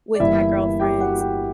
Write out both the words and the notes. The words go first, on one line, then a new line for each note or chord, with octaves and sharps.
with my girlfriends,
D5
G1 G2 E3 G3 A#3 E4 E5
G4 G5
F#4 F#5
G4 G5